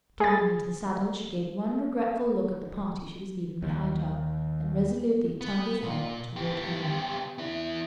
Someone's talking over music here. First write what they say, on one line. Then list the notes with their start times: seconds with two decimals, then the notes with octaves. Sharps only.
Climbing into the saddle, she gave one regretful look at the party she was leaving behind her, and resolutely turned his head toward home.
0.20 G#4 A6
3.62 D#2
5.41 B3
5.83 A#2
6.36 B3 G4
7.38 B3 E4